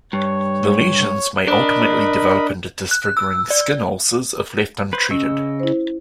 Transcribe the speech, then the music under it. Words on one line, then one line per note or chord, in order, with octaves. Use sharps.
The lesions may ultimately develop into disfiguring skin ulcers if left untreated.
G2 C#5
D4 A#4 D#5 B5
F#6
E6
D5
B4 C5
C#3 C#4 D#5 E6
E4 C5